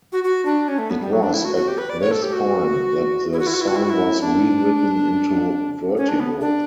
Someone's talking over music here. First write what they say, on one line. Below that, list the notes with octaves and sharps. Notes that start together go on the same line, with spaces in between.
It was at this point that the song was rewritten into Vertigo.
F#4
F#4
D4
C#4
A3
B3
G3
F#3
D4
E4
F#4
F#4
G4
B4
D5
C#5
A4
G4
F#4
E4
F#4
E4
F#4
E4
F#4
E4
F#4
E4
D4
C#4
D4
B3
D4